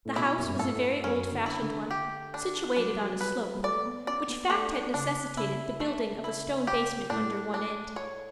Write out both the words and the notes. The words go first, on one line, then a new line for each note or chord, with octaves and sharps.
The house was a very old-fashioned one, situated on a slope, which fact had necessitated the building of a stone basement under one end.
A2
B2 E4
F#2
G2
A2 A4
F#2 C#4
D3
E4
D3
G4
D4
F#3 D4
G3
F#3
G3
B4
F#3
G3
A3 D5
B3
C#4 D5
B3
A3 D4
C#3 D4
C#3 E4
A3
E4
G4
A2 D4
D4
C#5